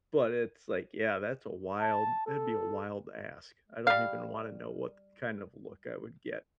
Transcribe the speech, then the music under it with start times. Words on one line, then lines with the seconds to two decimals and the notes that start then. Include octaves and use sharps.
But it's, like, yeah, that's a wild that'd be a wild ask. I don't even wanna know what th kind of look I would get.
1.80 A5
2.26 A4
3.87 G3 F5